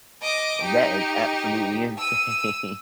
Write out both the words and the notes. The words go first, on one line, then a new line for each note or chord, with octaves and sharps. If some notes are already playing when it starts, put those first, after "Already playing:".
That is absolutely insane.
D#5 D6
D#4 G4
E6 D#7